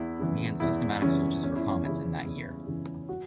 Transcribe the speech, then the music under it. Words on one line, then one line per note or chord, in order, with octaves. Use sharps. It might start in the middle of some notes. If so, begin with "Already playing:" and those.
He began systematic searches for comets in that year.
Already playing: E2 E4
C#3 E3
E2 E4
C#3 E3 C#4
E2 C#4
E4
C#4
C#3 E3 E4
E2
C#3 E3
F#4